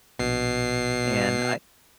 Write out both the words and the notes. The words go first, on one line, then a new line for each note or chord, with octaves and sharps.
And I
A#1 B2 C7